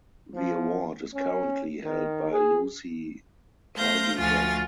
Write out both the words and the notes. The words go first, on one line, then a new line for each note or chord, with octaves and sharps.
The award is currently held by Lucy Pargeter.
F3
C#4
D#3
G#4
A3 C5 F5 G6 A#6
D2 F3 F4 F#4 G#5 A6